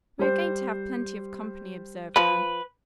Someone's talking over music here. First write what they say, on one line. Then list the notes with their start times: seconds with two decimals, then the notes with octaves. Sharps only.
"We are going to have plenty of company," observed Anne.
0.19 G3 C5
2.16 F3 B4 B5